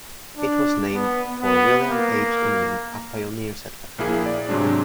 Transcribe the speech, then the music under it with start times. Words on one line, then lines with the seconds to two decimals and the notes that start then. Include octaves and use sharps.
It was named for William H. Inman, a pioneer settler.
0.37 D4
0.92 B3
1.40 B3
1.89 A#3
3.98 A#1 A#3 E4 G#4
4.26 D5
4.49 G#2 C3 F#3 G#3 D4